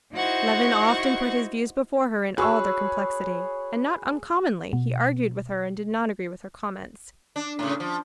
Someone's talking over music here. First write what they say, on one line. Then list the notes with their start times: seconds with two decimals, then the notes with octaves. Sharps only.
Levin often put his views before her in all their complexity, and not uncommonly he argued with her and did not agree with her comments.
0.14 D#4 E4 F#4 C5 F#5 C#6
2.38 F#4 G#4 B4 C#5 C#6 E6
4.73 B2
7.36 D4
7.59 A2 C#3
7.80 F3